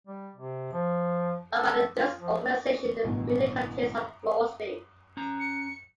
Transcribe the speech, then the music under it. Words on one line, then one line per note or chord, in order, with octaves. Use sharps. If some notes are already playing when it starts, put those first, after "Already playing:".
Owned by the Durst Organization, the building contains of floor space.
G3
C3
F3
A4
F4
F3
A1 G2 B2 D#3
C#4 A#5
C#7